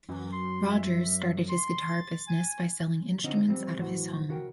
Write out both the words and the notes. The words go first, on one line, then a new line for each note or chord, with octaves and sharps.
Rogers started his guitar business by selling instruments out of his home.
F#2 E3
C6
E5
C6
A6
G#5
D3 F3 C4 C#4 D#4
F3 G3 C4
C#2 A2 E3 F#3 F#4 C5
C#3 F#4 A#4 G5